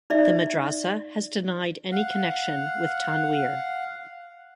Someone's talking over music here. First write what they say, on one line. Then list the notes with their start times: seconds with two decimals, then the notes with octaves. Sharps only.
The madrasa has denied any connection with Tanweer.
0.10 D#4 D5 E5
1.92 F5 F#5